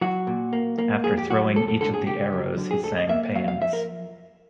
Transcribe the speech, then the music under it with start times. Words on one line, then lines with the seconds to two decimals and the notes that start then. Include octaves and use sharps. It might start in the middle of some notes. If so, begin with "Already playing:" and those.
After throwing each of the arrows he sang paeans.
0.01 F#3 F#4
0.27 A#2
0.53 A#3
0.79 A#3
1.04 F2 G#4
1.18 G4
1.30 F#3 F#4
1.55 F2 A4
1.68 A4
1.81 D3 A4
1.94 G#4
2.06 C#2 G4
2.33 F#3
2.58 D3
2.71 G#4
2.83 D2 A4
2.97 D#5
3.09 A#3 E5
3.35 F#3 F5
3.48 F5
3.61 F3 E5
3.73 A#4